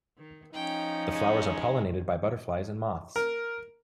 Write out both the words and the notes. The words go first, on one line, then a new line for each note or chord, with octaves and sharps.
The flowers are pollinated by butterflies and moths.
D#3
F3 C#4 D#4 G5
G#3
A#4